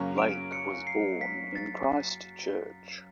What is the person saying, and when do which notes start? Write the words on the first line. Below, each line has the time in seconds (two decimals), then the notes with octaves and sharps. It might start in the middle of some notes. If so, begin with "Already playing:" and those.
Lake was born in Christchurch.
Already playing: F#2 C#3 F#3 A#3 C#4
0.18 D7
0.52 C#7
0.87 C7
1.21 B6
1.55 A6